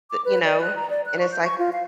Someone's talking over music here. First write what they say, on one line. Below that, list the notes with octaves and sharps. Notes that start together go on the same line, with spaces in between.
Th You know? And it's like
D6
B4
D5
F#6
A#5
D5
F#6
C#6
G6
C#6
F4
F5